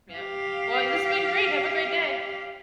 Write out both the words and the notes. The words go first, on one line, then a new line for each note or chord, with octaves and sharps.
Yep. Well, it this been great, have a great day.
G4 F5